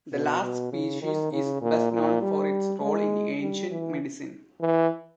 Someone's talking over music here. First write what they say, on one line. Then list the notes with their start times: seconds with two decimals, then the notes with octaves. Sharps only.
The last species is best known for its role in ancient medicine.
0.12 B2
0.42 B2
0.72 C#3
1.02 D#3
1.32 C#3
1.62 A#2
1.92 A#2
2.22 G3
2.81 G#3
3.41 G3
3.71 E3
4.61 E3